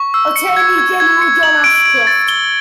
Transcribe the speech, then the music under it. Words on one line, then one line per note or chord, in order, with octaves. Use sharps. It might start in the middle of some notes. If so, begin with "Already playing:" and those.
Attorney General John Ashcroft.
Already playing: C#6
E6
C#7
G#6
G#6
G#6
C#7
F#7
D7
D7
A6
G7